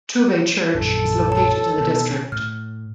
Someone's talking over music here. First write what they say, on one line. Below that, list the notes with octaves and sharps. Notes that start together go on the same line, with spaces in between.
Tuve Church is located in the district.
A#1 F#2 D4 A4
C#5 A5
B2 D#3
A2 F6